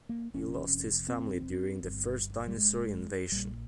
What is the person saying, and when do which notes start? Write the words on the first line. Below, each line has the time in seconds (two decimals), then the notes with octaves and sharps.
He lost his family during the first Dinosaur invasion.
0.09 A#3
0.34 F1 F2 C3 C#4
1.08 C4
1.82 G1 G2
2.48 G3
2.58 G#3
3.32 A#1 A#2 G3